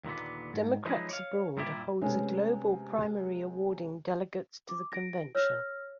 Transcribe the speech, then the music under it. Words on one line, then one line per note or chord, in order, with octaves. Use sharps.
Democrats Abroad holds a global primary awarding delegates to the convention.
D#2 A#2 D3 B3
G#2
F3 F#3 G#3 B3 D#4 E4
C#5 D5 F5
G2 A#2 G3 E4 G4
C3 G#3 A3 B3 C#4
D6
A#6 D7
C#5 E6 F6 A#6